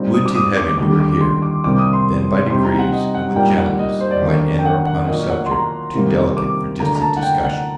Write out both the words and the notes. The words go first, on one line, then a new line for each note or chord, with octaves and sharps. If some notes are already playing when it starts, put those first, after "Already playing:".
Would to Heaven you were here!-then, by degrees, and with gentleness, I might enter upon a subject too delicate for distant discussion.
Already playing: A#2 G3 C4 D#4
D#6
D6
D#6
D6
D#2 D3 G3 D4 D6
D6
C6
D6
C2 C3 G3 A#3 D6
D#6
C6
C3 G3 C4 D#4 C6
A#5
F#5
D#5
F#5
A#2 G3 A#3 D#4 G5
F#5
D#5
C5
D5
D#2 D3 F#3 A#3 D4
G5
F#5
F#5
A#2 F#3 A#3 D#5
F#5
C6
A#5
C3 D#3 G3 A#3
D6
D2 D3 F#3 A#3 A#5
A#5
A5
F#5
G5
F#5